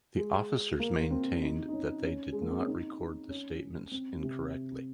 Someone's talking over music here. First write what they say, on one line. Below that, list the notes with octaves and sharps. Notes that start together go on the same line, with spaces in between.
The officers maintained that they did not record the statements incorrectly.
G#3
A#3
C4
D#4
D#4
C#4
C#4
G#3
A#3
C4
C#4
D#4
C#4
C4
C3